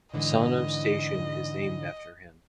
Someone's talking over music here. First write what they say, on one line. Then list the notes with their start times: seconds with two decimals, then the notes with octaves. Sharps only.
Asano Station is named after him.
0.14 G#2 D3 E3 D#5